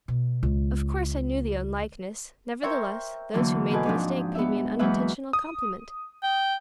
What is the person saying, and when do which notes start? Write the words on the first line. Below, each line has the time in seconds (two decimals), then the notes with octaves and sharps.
Of course I knew the unlikeness; nevertheless, those who made the mistake paid me an unintentional compliment.
0.08 B2
0.43 C#2
2.62 A#4 C5 C#5 E5 G5
3.34 E2 D3 E3 F#3 A#3 D4
3.71 B2 C4 A4 B4 D#5 G#5
3.85 G#2 F3 G#3 C4 D4 D#4
4.35 B3 E5
4.79 E2 F#3 G#3 A#3 B4 E5
5.33 D#6
6.23 G5